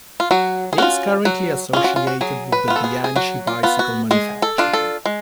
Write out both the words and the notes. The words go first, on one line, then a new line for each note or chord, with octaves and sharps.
He is currently associated with the Bianchi bicycle manufacturer.
F4
F#3 F#4
G#4
C#4 F4 F#4
F#3 F#4
C#4 F4 G#4
F#4
F4
F#4
F#3 G#4
B4
B3 F4
A4
G#4
G#4
F#3 F#4
F4
B3 F4
F#4
G#3 G#4
A4
D4 F4
A4
G#3